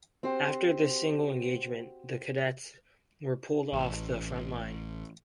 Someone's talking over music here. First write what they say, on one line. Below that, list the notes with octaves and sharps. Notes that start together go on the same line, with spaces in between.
After this single engagement, the cadets were pulled off the front line.
C4 F#4 G4 C5
A1